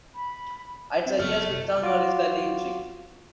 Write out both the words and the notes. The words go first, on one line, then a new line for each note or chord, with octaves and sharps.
I'd say yes, with tongue only slightly in cheek.
B5
C4
F#1 F#3 A3 B3 F6
C3
F#3 F4 F#4 D6